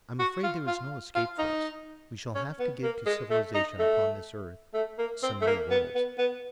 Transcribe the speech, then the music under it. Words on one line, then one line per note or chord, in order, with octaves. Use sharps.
I'm afraid there is no escape for us: we shall have to give to civilization upon this earth--some new worlds.
F#4
F4
F4
F4
D#4
C#4
B3
A#3
G#3
A3
D#4
A3
A3
A#3
C4
A3
A#3
B3
B3
B3